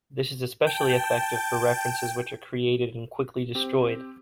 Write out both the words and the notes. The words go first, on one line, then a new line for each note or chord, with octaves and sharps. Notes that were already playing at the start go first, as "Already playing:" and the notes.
This is especially effective for references which are created and quickly destroyed.
G5 A5
C4 G4